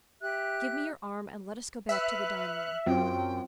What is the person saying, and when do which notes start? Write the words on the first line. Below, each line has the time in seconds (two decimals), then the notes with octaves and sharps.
Give me your arm and let us go back to the dining-room.
0.22 G4 E5 F#6
1.89 B4 E5 F6 F#6 C#7
2.86 F#2 F#3 C4 F4 G5